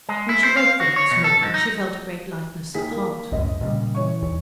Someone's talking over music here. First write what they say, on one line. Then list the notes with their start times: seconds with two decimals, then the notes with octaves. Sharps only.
When she woke the next morning she felt a great lightness of heart.
0.09 G#3
0.29 E4
0.44 C5
0.57 F5
0.80 F#4
0.96 C#5
1.11 B2
1.24 A4
1.42 G#2
1.54 D#4
2.75 D#2 G#4 B6
2.91 A#3
3.32 C#2 F#2 A2 D#5
3.61 A#2 C#3 G3
3.95 E3 C#5 C#6
4.22 D#2